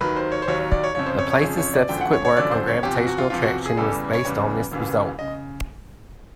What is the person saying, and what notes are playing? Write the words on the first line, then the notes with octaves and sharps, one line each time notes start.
Laplace's subsequent work on gravitational attraction was based on this result.
D#2 D#3 F#3 B4
C5
C#5
C5
D#2 D#3 F#3 C#5
C#5
D5
C#5
F2 C#3 F3 C#5
C5
C#5
C#5
F2 C#3 F3 G#4
C#5
D5
G#1 F#2 D3 F3 G5
F#5
C#5
C#5
G#1 F#2 D3 F3 D5
C5
C#5
E2 C3 F3 G4
F#4
F#4
F4
E2 C3 F3 F4
F#4
G#4
E2 C#3 E3 G3 A4
C#5
E2 C#3 E3 G3
E1 D#2 C#3 E3
C#3 D#5